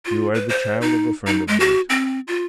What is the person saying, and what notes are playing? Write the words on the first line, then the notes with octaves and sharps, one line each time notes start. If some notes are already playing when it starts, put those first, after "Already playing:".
You are the child of a friend of hers.
F4
B4
C5
D#4
D#4
G#3
F#4
C4
F4